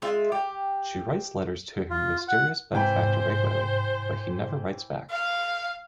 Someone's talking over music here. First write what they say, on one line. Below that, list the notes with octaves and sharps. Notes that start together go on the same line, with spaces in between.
She writes letters to her mysterious benefactor regularly, but he never writes back.
G#3 F4 E5
G4
F4
F#5
G#2 C3 E3 C5 G5 B5
F5